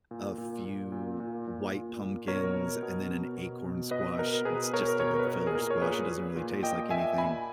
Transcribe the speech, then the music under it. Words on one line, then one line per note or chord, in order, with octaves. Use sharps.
a few white pumpkins, and then an acorn squash it's just a good filler squash, it doesn't really taste like anything.
A#2
A#2
A#2
A#2
A#2
A#2
A#2
A#2
B2 A#4 C#5
B2
B2
B2
B2
B2
B2 B4 D#5
B2 A#4
B2 G#4 B4
B2 A#4 C#5
B2 A#4 C#5
B4
B2 A#4
G#4
A#2 A#4
C#5
A#2 G#4 B4
A#2
A#2
A#2 D#5 G5
A#2 E5 G#5
A#2 G#5 B5